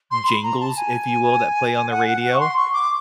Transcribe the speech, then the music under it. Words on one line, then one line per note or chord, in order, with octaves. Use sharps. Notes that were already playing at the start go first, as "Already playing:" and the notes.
jingles, if you will, that play on the radio,
C6
B5
A#5
A5
G#5
F#5
F#5
F#5
C#6
C6
C#6
D6